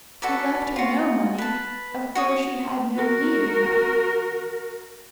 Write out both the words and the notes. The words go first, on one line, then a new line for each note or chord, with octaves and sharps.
He left her no money; of course she had no need of money.
F#4 A4 B4 D5
F4 F#4
B4 A5
F#4 C#5 D#6
F#4 A#4